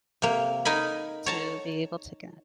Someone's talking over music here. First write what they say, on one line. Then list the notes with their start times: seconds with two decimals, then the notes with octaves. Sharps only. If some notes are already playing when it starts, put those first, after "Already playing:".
to be able to get
0.22 C3 A#3
0.65 D#4 A#4 G#5 B5
1.26 C#5 A5 A#5